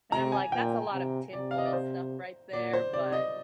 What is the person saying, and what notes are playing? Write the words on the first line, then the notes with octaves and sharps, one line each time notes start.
And I'm, like, "That's a lot of tin foil stuff right there", but
C3 A#5
G#5
A#2 G5
C3
C3 D5
F5
D#5
D5
C5
A#2 D5
C5
C3 D5
D#5